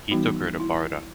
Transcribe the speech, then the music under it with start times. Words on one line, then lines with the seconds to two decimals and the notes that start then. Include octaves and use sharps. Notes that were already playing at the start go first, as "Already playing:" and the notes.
He took her to Barda.
0.11 E3 G3 B3 D#4 F#4
0.60 E4